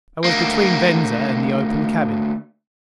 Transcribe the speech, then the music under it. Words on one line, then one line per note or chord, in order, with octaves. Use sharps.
I was between Venza and the open cabin.
D2 A#3